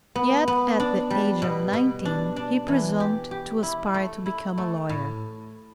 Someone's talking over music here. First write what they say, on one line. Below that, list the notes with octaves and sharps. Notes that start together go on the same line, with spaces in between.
Yet at the age of nineteen he presumed to aspire to become a lawyer!
B3
B3
D4
G3
B2
B2
D4
D4
E3
G4
G4
E4
A3
E4
A3
A2